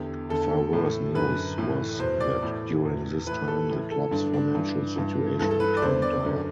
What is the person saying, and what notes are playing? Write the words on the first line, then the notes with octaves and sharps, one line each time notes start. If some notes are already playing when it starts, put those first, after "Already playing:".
Far worse news was that during this time the club's financial situation became dire.
Already playing: E2 D3 G4
E2 D3 A4
A2 E3
F#2 D3 B4
A2 E3
E2 B2 C5
D5
A2 E3
E2 B2
A2 E3 B4
A4
A2 E3
A4
G2 D3 D4
D4
G2 E3
G2 E3
G2 E3 A4
A4
B4
D5
E2 D3 C5
D5
F#2 D3